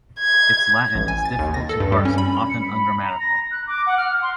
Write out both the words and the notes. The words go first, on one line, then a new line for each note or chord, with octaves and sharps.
Its Latin is difficult to parse and often ungrammatical.
G#6
A1
G#5
A6
D#2
A#6
A4
G2
G3
C#4
B5
C#7
B5
A#5
A#6
F#6
D6
F#5
F6
C6